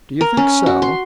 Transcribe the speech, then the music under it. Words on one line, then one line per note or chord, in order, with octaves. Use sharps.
"Do you think so?"
A#4
C#4
F#4
C6